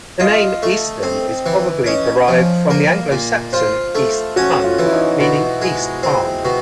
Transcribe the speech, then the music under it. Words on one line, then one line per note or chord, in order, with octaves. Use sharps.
The name Easton is probably derived from the Anglo-Saxon "East Tun" meaning East Farm.
F4 D#5
A3
C4
E3
C#4 D#5
F3
A#3
A#2
F4 C5
A3
C#4 F#4
F4
E3
E4
D#4
B2
G#3
C4
B2